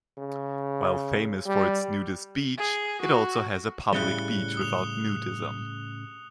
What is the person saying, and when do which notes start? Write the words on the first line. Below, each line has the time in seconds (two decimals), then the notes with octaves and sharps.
While famous for its nudist beach, it also has a public beach without nudism.
0.17 C#3
1.46 G3
2.58 G#4
3.01 F#4
3.93 A2 C#3 G3 F#6 C#7 G7
4.57 D#6 F7